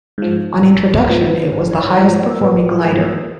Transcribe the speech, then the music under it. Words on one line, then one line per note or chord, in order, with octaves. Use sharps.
On introduction it was the highest performing glider.
G#2 F3
A1 A#4
G#2 F3 B4
C5
B4
A1 C5
D5
C#5
G#2 F3
C5
A#4
A1 B4
A4
G#4
G#2 A4
F3
A#4